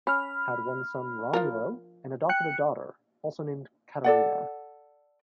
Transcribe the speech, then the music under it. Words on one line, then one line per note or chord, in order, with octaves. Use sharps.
Had one son Romulo, and adopted a daughter, also named Catarina.
C#4 B5 F6
F3 F4 A#4
G5 F#6 C#7
A4 D5 F#5